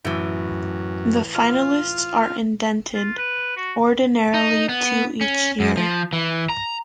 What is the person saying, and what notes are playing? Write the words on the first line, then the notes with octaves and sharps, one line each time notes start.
The finalists are indented, ordinarily two each year.
F#2 A2 E3
F4
F4
B4
F#4
D#4
B3
C#4
F#2
F3
E3
A#5